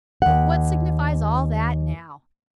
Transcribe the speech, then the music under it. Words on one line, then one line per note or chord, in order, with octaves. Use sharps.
But what signifies all that now?
D#2 F#5